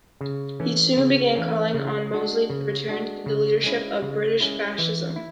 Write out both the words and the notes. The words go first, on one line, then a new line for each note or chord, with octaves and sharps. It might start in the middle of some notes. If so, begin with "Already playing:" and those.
He soon began calling on Mosley to return to the leadership of British fascism.
C#3
E3 A3 C#4
C#3
E3 A3 C#4
C#3
G#3 D4 F#4
C#3
G#3 D4 F#4
C#3
G#3 C#4 E4
C#3
G#3 C#4 E4
E3
E4